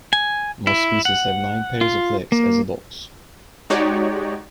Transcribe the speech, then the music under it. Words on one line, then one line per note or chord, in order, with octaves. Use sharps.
Most species have nine pairs of legs as adults.
G#5
E4
F#5
F4
A#3
G#3 D#4 F#4 G4 C#5 D5